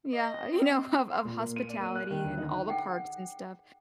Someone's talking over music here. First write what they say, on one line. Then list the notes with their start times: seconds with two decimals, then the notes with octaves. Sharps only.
yeah, you know, of of hospitality and all the parks and stuff.
0.11 D#5
0.53 C4
1.12 C6
1.25 A#2
1.38 A#3
1.56 D#7
1.69 D5
1.80 A#3
1.95 F#6
2.11 D#3
2.24 D2
2.38 D#4
2.69 G#4 F#5 G5